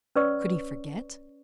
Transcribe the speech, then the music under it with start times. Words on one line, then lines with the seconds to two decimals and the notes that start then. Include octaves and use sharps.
Could he forget?
0.16 C#4 B4 C#5 D5 C#6 E6